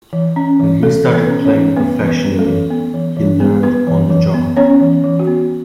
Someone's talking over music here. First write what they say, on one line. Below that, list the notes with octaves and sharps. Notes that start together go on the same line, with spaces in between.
When he started playing professionally, he learned on the job.
E3
C#4
E3
A3 A4
E3
B3 B4
C#4
C#4 C#5
E3
A3 B3 B4
E3
B3 B4
C#4
A3 A4
E3
B3
E3
E3
B3
B3 B4
E3
E3
B3
B3 C#4 C#5
E3
E3
F#4
B3